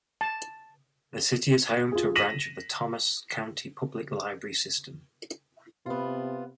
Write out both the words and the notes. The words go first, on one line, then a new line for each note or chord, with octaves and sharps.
The city is home to a branch of the Thomas County Public Library System.
A5
F4 G#4
A#6 B6 D#7 E7 F#7
C3 B3 F4